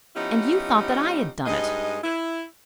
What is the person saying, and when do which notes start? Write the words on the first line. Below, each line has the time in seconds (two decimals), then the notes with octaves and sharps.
And you thought that I had done it!
0.15 F3 B3 C#4 D#4 E4 G4
1.46 G2 G#3 D#4 D#5
2.03 E4